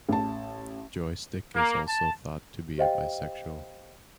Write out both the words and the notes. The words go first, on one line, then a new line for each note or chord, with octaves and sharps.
Joystick is also thought to be a bisexual.
A1 A5
A#3
A5
G4 C5 D#5 F5 G5